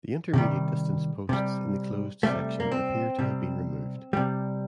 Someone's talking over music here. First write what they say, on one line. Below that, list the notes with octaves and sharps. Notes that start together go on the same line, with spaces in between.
The intermediate distance posts in the closed section appear to have been removed.
C3 D#3 G3
C3 G3
C3 G3 A3
A#3
C4
C3 G3
C3 G3